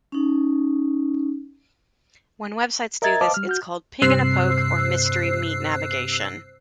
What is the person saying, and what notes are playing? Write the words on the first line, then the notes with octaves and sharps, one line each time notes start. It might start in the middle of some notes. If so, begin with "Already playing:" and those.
When websites do this, it's called pig in a poke or mystery meat navigation.
C#4 D#4
A#4 D#5 E5 A#5 G#6 A6
B4 C5 D#5 F5 A5 D6
G3 F6
F#4 F6 G6
G2 C3 C5 E6 F#6 C7